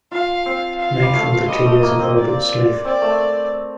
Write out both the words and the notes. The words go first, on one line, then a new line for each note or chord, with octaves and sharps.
Made from the tears of Robert Smith.
F4 F5
C4
F5
G3
A3
G3 D#5
A3
A#3
C4
D5
C4 D5
A3